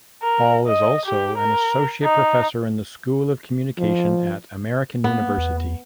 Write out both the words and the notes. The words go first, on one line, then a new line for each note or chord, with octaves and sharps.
Hall is also an associate professor in the School of Communication at American University.
A#4
D#5
G4
A#4
D#4
F3
A#3 B3
E2